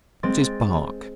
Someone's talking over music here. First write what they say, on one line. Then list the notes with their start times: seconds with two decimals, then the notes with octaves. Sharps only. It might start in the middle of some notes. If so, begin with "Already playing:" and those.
What is Bark?
0.23 G#3 C4 A6